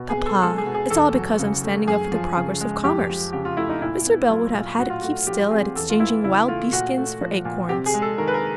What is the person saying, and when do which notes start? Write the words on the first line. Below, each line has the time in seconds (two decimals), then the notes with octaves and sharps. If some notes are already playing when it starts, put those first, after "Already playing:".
'Papa, it's all because I'm standing up for the progress of commerce. Mr. Bell would have had it keep still at exchanging wild-beast skins for acorns.'
Already playing: B2
0.10 G#4
0.17 B3
0.26 A4
0.42 G#3 A4
0.58 G#4
0.66 B2
0.74 G#4
0.90 E2 A4
1.15 F#3
1.39 C#3
1.63 A3
1.87 F#2 G#4
2.12 F3
2.37 C#3
2.60 G#3
2.84 F2 G4
3.09 F3
3.33 C#3 G4
3.45 F4
3.57 A3 E4
3.69 D#4
3.82 A#2 E4
4.06 B3
4.30 F#3 F4
4.54 A#2
4.79 A2 F#4
4.90 F4
5.01 A3 F#4
5.27 F3 G4
5.51 C4 G#4
5.76 E2 A4
5.90 F4
6.00 E3 E4
6.24 C#3 E4
6.48 A3 F4
6.72 A#2 F#4
6.97 A3
7.21 F3
7.45 A#2
7.69 C3 G4
7.86 G#4
7.94 G#3
8.02 A4
8.18 D#3 A#4
8.27 B4
8.34 A#4